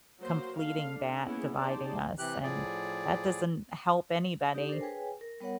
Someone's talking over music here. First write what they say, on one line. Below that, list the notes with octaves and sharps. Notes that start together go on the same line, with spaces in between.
completing that dividing us, and that doesn't help anybody.
F#3 A#3 F#4 C5
D3 F5
D4
A#3 B3 C#4 E4 G#4
D#4 G4 G#4 C5 D5 A5
C3 E3 G4 F#6
A2 F3 G#4 D5
D#4 G4 D5
D4 A4 A#4 C5
G#4 B4 C#5 G5 G#5
A#4
G3 B3 A#4 C#5 F#5